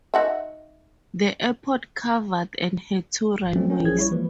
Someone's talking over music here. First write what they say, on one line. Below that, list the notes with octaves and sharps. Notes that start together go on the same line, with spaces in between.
The airport covered and had two runways.
D#4 F#4 E5
G#1
F3 G3 A3 C4 C#4
C#4 A#4 G5
A#1 F3 C#4 G#4 G#6
G3 E4 C#5
E3 F3 G#3 A#3 B4